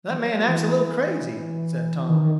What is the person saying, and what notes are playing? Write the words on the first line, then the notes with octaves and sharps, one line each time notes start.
"That man acts a little crazy," said Tom.
E3
F#3
E3
D#3